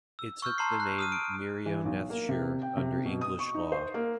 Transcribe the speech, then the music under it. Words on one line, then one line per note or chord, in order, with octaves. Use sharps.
It took the name Merionethshire under English Law.
E6
C#6 E6 F6 G6
A5 A#5 C6 C#6 C7
F#6
D#6 F6 D#7
D7
E3
B1
A#3
C3
G5
C3
B2
D#6
C#6
D#4
C5
A#3